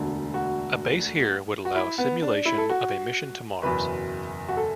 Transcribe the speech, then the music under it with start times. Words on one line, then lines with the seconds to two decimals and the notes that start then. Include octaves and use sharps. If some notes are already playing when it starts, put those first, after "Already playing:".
A base here would allow simulation of a mission to Mars.
Already playing: E1 D2 D3
0.34 F#4
1.65 F#4
1.75 E4
1.98 B3
2.22 D4
2.45 E4
2.58 A4
2.70 F#4
3.63 F#1 E2 B2 B4
4.48 F#4
4.57 A4